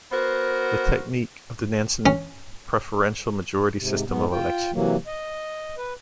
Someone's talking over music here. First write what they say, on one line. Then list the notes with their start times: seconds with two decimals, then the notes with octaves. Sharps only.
The technique of the Nanson preferential majority system of election.
0.12 B3 F#4 A#4 C5
2.06 C#4
3.77 G#2 C3
4.08 G#2 B3
4.31 F4 G5
4.74 C3 E3 F#3 A#3
5.07 D#5
5.77 B4